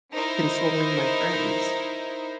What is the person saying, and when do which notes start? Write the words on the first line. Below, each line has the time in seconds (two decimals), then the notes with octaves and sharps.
consoling my friends?
0.12 D#4 E4 A#4 C5